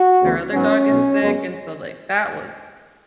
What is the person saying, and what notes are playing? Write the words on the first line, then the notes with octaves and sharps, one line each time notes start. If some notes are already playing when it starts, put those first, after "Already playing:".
her other dog is sick, and so, like, that was
Already playing: F#4
D2 C#3 E3 B3
G#2 F#3 B3 C#4
B1 B2 F#3 A3
F#2 C#3 G#3 B3